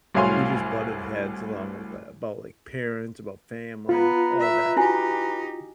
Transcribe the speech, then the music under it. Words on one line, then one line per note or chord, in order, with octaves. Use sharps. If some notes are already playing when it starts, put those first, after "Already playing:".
we just butted heads along with that about, like, parents, about family, all that.
C2 A2 F#3 F5 G#5 C6
B3 F4 B4 A#5
E5
D#4 E4 F#4 G4 G#5